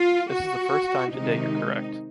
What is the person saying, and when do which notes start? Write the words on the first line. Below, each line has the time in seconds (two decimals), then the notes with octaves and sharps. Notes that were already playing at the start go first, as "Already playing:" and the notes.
This is the first time today you’re correct.
Already playing: F4
0.32 F#4
1.12 C3 D#3 G#3 D#4